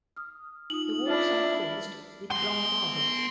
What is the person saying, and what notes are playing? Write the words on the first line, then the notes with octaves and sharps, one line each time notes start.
The walls are faced with brown marble.
D#6 F6
D#4 F4 D#6 F#7
D4 E4 F4 E5 F6
B3 C6